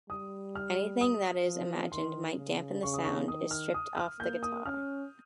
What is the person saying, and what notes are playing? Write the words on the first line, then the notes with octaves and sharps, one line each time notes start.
Anything that it is imagined might dampen the sound is stripped off the guitar.
G3 D#6
F6
D#6
F3
D#3 C6
C#3
C#3 C#6
D#6
C#6
D#3 D#6
F6
D#6
F6
A#3 G6
D#6
C#4 F6